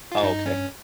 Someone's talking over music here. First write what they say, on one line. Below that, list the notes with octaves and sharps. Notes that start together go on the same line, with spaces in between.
Oh, okay.
F4
G2 D#4
C#4